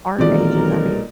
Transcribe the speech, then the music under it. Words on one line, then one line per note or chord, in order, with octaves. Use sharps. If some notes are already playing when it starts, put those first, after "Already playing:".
our ages, I mean.
B1 A#2 D#3 E3 G#3 C4 A#4 D5